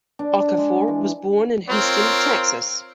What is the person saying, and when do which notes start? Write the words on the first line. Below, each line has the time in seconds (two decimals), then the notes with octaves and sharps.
Okafor was born in Houston, Texas.
0.19 D4
0.58 G#3
0.88 E3
1.68 C4 F4 A#4 C#5